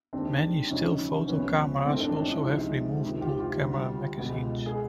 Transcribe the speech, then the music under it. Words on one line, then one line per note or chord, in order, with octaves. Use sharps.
Many still photo cameras also have removable camera magazines.
D#2 D#3 G#3 C4 D4
D2 C3 F3 C#4 D#4
C#2 C3 F3 B3 C#4
G#2 E3 A3 C4
C4 D4
C#4 D#4
D4 E4
C#2 C3 F3 G#3 D#4 F4
C#2 C3 D#3
F4 G4
F4 G4
D2 D3 G3
C#2 B2 G#3
G#4